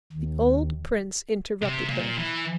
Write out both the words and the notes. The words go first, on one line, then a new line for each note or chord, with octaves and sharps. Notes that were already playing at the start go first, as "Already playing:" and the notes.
The old prince interrupted her.
D#2
C3
A#2
E3